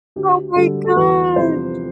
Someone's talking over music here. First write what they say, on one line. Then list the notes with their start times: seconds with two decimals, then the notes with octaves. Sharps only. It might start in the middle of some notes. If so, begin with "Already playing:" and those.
Oh my gosh.
0.16 D2 G4
0.56 D3 G3 A4
0.84 A4
0.96 E2 B4
1.36 C3 F3 C5